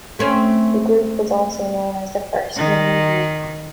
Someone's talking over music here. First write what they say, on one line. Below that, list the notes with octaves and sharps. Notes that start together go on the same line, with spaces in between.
The group was also known as the First New Movement.
A3 C4 C#4
D#3